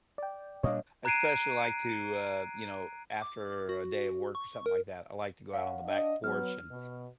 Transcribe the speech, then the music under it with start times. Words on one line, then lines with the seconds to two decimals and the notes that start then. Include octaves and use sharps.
I especially, like to, uh, you know, after a day of work or something like that, I like to go out on the back porch, and
0.18 D5 G5
0.63 A#2 G3 D4 C#5 D#5 F5
1.05 A#5 F#6 G#6 C7 D7 D#7
3.22 D6
3.69 F#4
4.35 C#6
4.66 A#4
5.54 F#2 C#5 F5 F#5
5.85 D4 D#5
6.24 F#3 B3 F6
6.69 B2